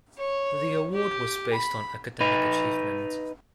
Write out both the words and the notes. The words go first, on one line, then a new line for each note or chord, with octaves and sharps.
The award was based on academic achievement.
C#5
G4
B5
D#4 B4